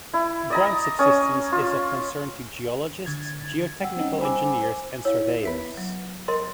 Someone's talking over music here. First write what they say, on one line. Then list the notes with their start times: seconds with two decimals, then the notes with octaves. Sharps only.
Ground subsidence is of concern to geologists, geotechnical engineers and surveyors.
0.14 E4
0.50 D5 D#5 A#5
0.99 C#4 D#6
1.52 F4
3.05 D3 G#6 A6
3.81 G3 F#5 E6
3.97 C4 C#4 D#4
4.21 C5 G#5 B5 D6 E6
5.05 E4 C#5 F5
5.43 B3 B4 E5
5.77 F#3
6.28 A#4 D#5 C6